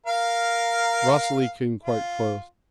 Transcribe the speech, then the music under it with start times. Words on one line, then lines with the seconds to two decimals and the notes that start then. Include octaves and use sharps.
Vasily came quite close.
0.06 A#4 F5
1.85 F4